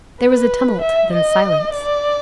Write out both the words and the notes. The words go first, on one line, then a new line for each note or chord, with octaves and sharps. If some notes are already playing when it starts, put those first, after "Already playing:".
There was a tumult, then silence.
B4
E5
D#5
D5